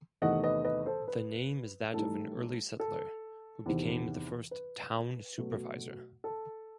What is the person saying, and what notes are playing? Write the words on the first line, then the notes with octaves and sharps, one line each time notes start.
The name is that of an early settler, who became the first Town Supervisor.
E2 C3 D#3 A3 D#5 F#5
B4 D#5
B4 D#5
A4 C5
B4
A2 E3 G3 D#4 A4
A4
E2 C3 D#3
B4
B2 F#3 A3
A4